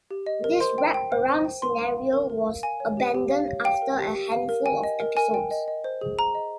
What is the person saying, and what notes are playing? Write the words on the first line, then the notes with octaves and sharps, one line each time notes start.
This wraparound scenario was abandoned after a handful of episodes.
G4
D#5
A#4
C5 C6
G5
G5
C5
C5
G5
A#4 C6
F5
F5
A#4
A#4
F5
F5 G#5
C#5
G4
G4
F5
C#5
F5 G5
A#4
G4
G4
F5
A#4
G5 G#5
D#5
A#4
A#4 G#5
G5
D#5
D#5
C5
G#4
G#4 A#5
D#5